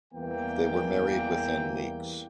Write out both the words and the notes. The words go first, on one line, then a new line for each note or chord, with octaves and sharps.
They were married within weeks.
E2 E3 G3 A#3 B3 G5